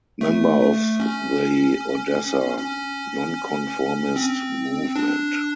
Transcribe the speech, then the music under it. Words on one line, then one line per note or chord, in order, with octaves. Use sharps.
Member of the Odessa nonconformist movement.
A3
A3
C#4
C#4
C4
D4